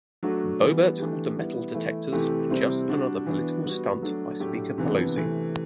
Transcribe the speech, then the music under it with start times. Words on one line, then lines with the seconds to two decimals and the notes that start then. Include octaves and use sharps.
Boebert called the metal detectors "just another political stunt by Speaker Pelosi".
0.23 F#3 A3 D4 F#4
0.60 E3 G3 B3
0.99 E3 A3 D4 G4
1.37 G3 B3 E4
1.74 E3 A3 E4
2.12 C3 E3 A3 E4 G4
2.50 C3 G3 C4 E4
2.88 G3 D4 F#4
3.26 E3 B3 D4 F#4
3.64 G3 B3 F#4
4.02 F#3 A3 D4
4.40 A2 F#3 A3 D4 G4
4.78 C3 E3 B3 D4
5.16 C3 E3 A3